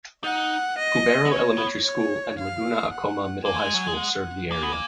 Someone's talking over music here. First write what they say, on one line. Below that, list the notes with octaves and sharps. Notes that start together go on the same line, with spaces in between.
Cubero Elementary School and Laguna Acoma Middle-High School serve the area.
D#4 F#5
D#5
B3
C#4 C#5
B3
C#5
F5
F#5
A#3 G#5
G#3
F#3
G#3
F#5
A#3 G#5
B3
A#3